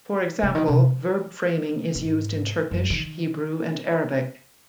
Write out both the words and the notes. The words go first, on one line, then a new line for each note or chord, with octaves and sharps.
For example, verb framing is used in Turkish, Hebrew and Arabic.
C#3
D#3
C3
G#2
F#2
D#3